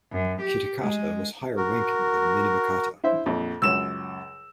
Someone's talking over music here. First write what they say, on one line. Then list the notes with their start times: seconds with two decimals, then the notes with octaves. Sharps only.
Kitakata was higher-ranking than Minamikata.
0.12 F#2
0.41 G4
0.81 G#3
1.57 F#4 A#4
3.04 E4 C5 E5
3.26 A#1 F2
3.62 C#2 F#2 E6 E7